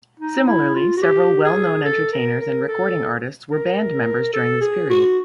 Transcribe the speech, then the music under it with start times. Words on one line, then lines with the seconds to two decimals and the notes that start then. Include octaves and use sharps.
Similarly, several well-known entertainers and recording artists were band members during this period.
0.20 D#4
0.47 E4
0.75 F4
0.97 F#4
1.02 G4
1.44 G#4
1.85 A4
2.12 A#4
2.41 A#4
2.68 A4
3.52 A#4
4.34 A4
4.61 G#4
4.90 F#4